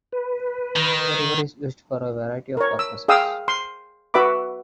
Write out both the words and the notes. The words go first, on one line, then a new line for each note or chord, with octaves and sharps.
The river is used for a variety of purposes.
B4
D#3
A#4 C#5
E6
G#4 F5 G5 D#6 E6
C6
F#4 B4 E5 B5 D6